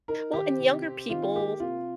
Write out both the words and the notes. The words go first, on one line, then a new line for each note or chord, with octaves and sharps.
Well, and younger people,
D#4 A#4
D#3 G4
C3
C4
D#3 F4
A#3 G4
C3 F4